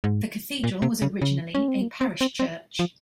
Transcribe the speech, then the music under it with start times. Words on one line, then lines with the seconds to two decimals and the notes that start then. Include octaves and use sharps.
The cathedral was originally a parish church.
0.04 G#2
0.64 A#2
0.82 C3
1.02 C#3
1.21 C#3
1.55 C#4
1.68 C4
1.82 A#3
2.01 C4
2.21 C4
2.39 C4
2.79 F3